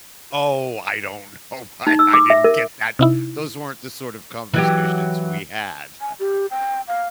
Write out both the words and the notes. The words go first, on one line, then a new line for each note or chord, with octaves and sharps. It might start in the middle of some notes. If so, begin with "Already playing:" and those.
Oh, I don't know why I didn't get that. Those weren't the, sort of, conversations we had, uh,
D#4
E6
D6
E5
A#4
C3 D#4 E4
E3 F#3 G4
G#5
G4
G5
F5